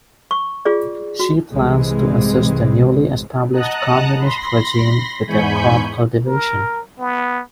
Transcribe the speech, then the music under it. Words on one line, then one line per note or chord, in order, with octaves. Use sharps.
She plans to assist the newly established communist regime with their crop cultivation.
C#6
F4 G#4 D5
F#4
C2 G#2 C3 E3 G#3 C4
D#5 F#5 A5 A#5 D#6 F#6
B5 C6 A#6
E2 G#2 G#5 B5 C#6 G6
A#4
B3